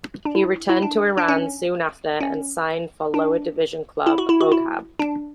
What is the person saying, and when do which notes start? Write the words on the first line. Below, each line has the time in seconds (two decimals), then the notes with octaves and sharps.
He returned to Iran soon after and signed for lower division club, Oghab.
0.25 D4
0.35 E4
0.69 E4
0.82 D4
1.18 D4
1.28 C#4
2.21 C#4
3.14 D4
4.07 E4
4.18 F#4
4.29 E4
4.41 F#4
4.52 E4
4.99 D4